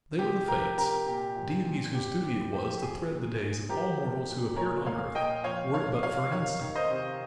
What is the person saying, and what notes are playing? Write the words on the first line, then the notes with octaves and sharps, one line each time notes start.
They were the Fates, deities whose duty it was to thread the days of all mortals who appeared on earth, were it but for an instant.
C3 G4
F3 G4 A#4
C3 G4 A#4
A#2 G4
F3
A#2
C3 G4
C3 G4
F3 G4
G4
F3 G#4
A#2
A#2
F3 G4 A#4
F3
A#2
A#2 A#4 C#5
A#2 C#5 F5
A#2 D#5 G5
F3 C#5 F5
F3 C#5 F5
C3 C#5 F5
D#3 C#5 F5
D#3
C5 D#5
C3